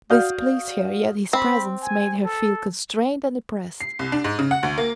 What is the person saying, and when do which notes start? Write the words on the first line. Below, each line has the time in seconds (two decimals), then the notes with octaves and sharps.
This pleased her, yet his presence made her feel constrained and oppressed.
0.10 F#4 D5 F5 D#6 F6 G6
1.33 C4 B5
1.81 G#5
2.23 A4
3.80 C7
3.99 C2
4.12 D4
4.24 G#2
4.39 C#3
4.51 F#5
4.63 D2
4.78 A#3